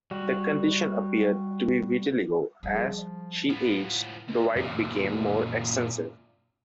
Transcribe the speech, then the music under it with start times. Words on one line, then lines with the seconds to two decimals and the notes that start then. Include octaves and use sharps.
The condition appeared to be vitiligo; as she aged, the white became more extensive.
0.11 G3 F#4
2.63 F3 G3 G#3 E4 G#4
3.50 A2 F3 B3 C#5 E5 F5
4.28 C#2
4.56 F#2 A#2